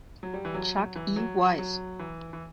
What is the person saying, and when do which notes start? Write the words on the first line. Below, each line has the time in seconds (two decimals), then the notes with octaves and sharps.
Chuck E. Weiss.
0.23 F#3
0.34 G3
0.45 E3
0.54 F#3
0.75 F#3
0.95 E3
1.16 F#3
1.58 F#3
1.99 E3
2.33 E3